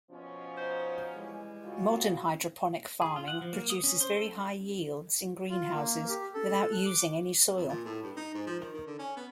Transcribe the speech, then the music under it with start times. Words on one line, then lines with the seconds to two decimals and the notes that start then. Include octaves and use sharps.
Modern hydroponic farming produces very high yields in greenhouses without using any soil.
0.10 B2 F3 C#4
0.56 D#4 C5
1.14 E3 G3 G#3
1.64 C#3 F4 F#4
3.02 G#4
3.16 F4
3.28 F#5
3.41 F3
3.53 A#3
3.70 D#6
3.84 C#4
4.00 C5
4.16 A4
5.50 F4
5.74 A#3
6.09 G4
6.34 A4
6.72 F#6
6.86 D6
7.56 F2
7.69 A#2
7.84 A2
8.03 G2
8.16 D#4
8.34 G#2
8.47 F3
8.59 D#3
8.74 D#3
8.87 D3
8.99 C#4
9.16 B3